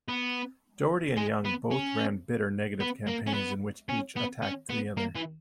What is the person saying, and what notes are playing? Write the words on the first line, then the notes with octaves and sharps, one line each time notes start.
Dougherty and Young both ran bitter, negative campaigns in which each attacked the other.
B3
G#3
B3
C#4
B3
A#3
C#4
B3
C#4
B3
C#4
B3
A#3
E3